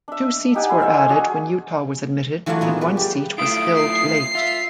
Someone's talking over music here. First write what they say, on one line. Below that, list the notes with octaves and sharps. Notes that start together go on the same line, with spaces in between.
Two seats were added when Utah was admitted and one seat was filled late.
D4 E5
D#4 G4 F#5 G#5
E4 C6
A4 C5 E5 F5
G#5
D4 F#4 G#4
E3 F#3 A3 F4 D5 F#5
A#2 G#3 B3 C#5 E5
B4 D5
G3 G4
A3 E4 F4 D#6 D7
C7
F4 E5